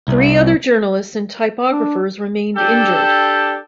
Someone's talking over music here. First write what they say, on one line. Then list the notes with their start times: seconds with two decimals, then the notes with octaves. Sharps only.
Three other journalists and typographers remained injured.
0.08 C2
1.72 D4
2.57 D4 G4 A4